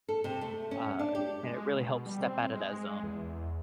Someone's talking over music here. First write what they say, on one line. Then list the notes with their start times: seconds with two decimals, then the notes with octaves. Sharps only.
Uh, and it really helps step out of that zone.
0.09 A4
0.24 C3
0.41 A3
0.71 C#4
0.99 D4
1.15 G4
1.43 G#3
1.75 B2
2.06 G3
2.21 C4
2.55 G#3
3.03 E2